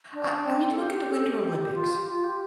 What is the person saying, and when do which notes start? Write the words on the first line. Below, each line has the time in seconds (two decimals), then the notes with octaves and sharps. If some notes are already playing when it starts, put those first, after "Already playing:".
I I mean look at the Winter Olympics.
0.13 D4
0.46 C4
0.72 A4
0.79 G4
0.94 G4
1.11 A4
1.26 G4
1.43 G4
1.58 G4
1.75 F4
1.91 G4
2.02 G4
2.07 F4
2.24 G4